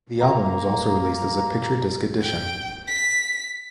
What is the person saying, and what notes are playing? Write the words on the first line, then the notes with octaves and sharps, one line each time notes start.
The album was also released as a Picture Disc Edition.
A#3 A#5
G5
B6